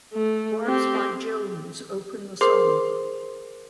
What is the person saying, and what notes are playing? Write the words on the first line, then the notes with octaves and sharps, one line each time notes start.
Words by Jones open the song.
A3
C4 G4
G#4 A#4 C5 C6 D6 C7